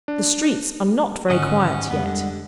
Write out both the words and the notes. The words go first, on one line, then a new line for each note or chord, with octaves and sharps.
The streets are not very quiet yet.'
D4
G#2 D3 D#3 C#4 D#5 F#5
F2 G3 G#3 B3 G4
D3